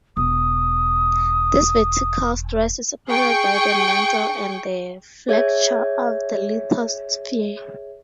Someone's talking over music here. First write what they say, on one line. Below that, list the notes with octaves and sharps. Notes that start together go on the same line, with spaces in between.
This vertical stress is supported by the mantle and the flexure of the lithosphere.
E1 D#6
G#4 G5 C#6
G#4 C#5 E5 G#6